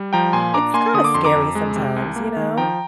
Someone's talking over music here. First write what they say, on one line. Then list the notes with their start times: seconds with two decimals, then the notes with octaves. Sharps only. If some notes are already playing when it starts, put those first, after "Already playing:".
it's kinda scary sometimes, you know,
Already playing: G3
0.13 F3 G5 A#5
0.33 A#2 G#5 C6
0.54 D4 A#5 D6
0.74 A#3 G#5 C6
0.94 D3 D#6
1.05 D6
1.14 F2 C6
1.25 A#5 D6
1.36 F2
1.55 G#3
1.76 C3
1.96 C2
2.16 A#3
2.36 D#3
2.57 F3 G5 A#5